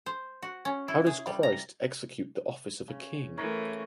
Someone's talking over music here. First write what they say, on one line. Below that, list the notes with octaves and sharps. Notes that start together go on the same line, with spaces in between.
How does Christ execute the office of a king?
C5
F#4
C#4
E4
G#4
G3
A#5
C#3
E3 A3 A#4 C#5